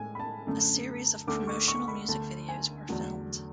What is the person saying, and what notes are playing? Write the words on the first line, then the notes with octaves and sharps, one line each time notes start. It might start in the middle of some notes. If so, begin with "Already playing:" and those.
A series of promotional music videos were filmed.
Already playing: A2 G#3 G#5
B5
A5
F#2 D3 A3
D2 D3 A3 D6
C#6
C#6
B5
D2 D3 A3 A5
G#5
E2 D3 F#3 A3